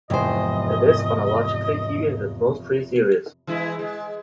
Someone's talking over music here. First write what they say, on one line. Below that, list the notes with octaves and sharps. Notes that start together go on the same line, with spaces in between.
That is, phonologically Tiwi has at most three series.
F1 E2 G#2 C5 D#5 G5 G#5
E3 G#3 E4
G#3